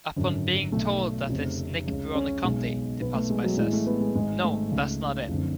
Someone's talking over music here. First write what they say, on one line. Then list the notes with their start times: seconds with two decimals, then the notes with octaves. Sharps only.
Upon being told that it's Nick Buoniconti, the passerby says, No, that's not it.
0.16 G#1 F#2 D3
0.72 B1 B2 A3
1.29 F1 F2 C#3
1.87 C#2 C#3
2.15 C#4
2.43 B1 B2 G#3
3.00 B1 B2 B3
3.14 A3
3.30 G#3
3.43 F#3
3.57 A1 A2 G#3
3.73 A3
3.86 B3
4.01 G#3
4.15 G#1 G#2 G#3
4.44 A3
4.71 C#2 C#3
5.29 F#1 F2 D3